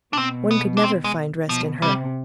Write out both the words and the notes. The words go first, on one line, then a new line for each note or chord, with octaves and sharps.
One could never find rest in her.
D4
B2 C4
B3
D4
C4
G#3
B2 F3
C3 G3